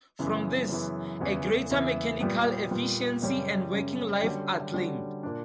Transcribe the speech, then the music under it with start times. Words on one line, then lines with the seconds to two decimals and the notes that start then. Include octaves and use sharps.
From this, a greater mechanical efficiency and working life are claimed.
0.19 F#2 C#3 E3 B3
0.69 F#2 C#3 E3 B3
1.20 E2 C#3 E3 B3 E4
1.70 E2 C#3 E3 B3 E4
2.21 A#2 G3 B3
2.71 A#2 G3 B3
3.22 F#2 C#3 G3 C#4
3.72 F#2 C#3 G3 C#4
4.23 D3 G3 C#4 F#4
4.73 D3 G3 C#4 F#4
5.23 A#2 A#3 D4